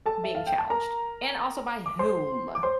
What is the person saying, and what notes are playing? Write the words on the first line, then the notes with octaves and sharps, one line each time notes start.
being challenged. And, also by whom.
A4 A5
E5
F5
G5
A5
A#4 A#5
D6
C5 C6
D6
C5 C6